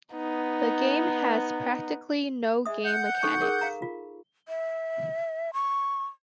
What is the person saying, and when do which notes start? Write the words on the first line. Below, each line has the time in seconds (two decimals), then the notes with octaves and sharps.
The game has practically no game mechanics.
0.14 B3 D#4
2.66 G#3 E5 D#6
2.85 F#5 G6
3.23 D#4 A4 C#6
3.42 G#4 A#4
3.61 F5 A#5
3.82 F4
4.48 E5
5.54 C#6